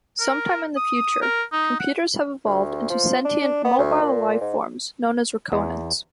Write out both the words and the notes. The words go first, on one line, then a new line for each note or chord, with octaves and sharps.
Sometime in the future, computers have evolved into sentient, mobile life-forms known as 'Rakonans'.
A#4
D#6
A#4
D#4
F#5
D2
F3
D4
B3
D2
A#2
G#2
E2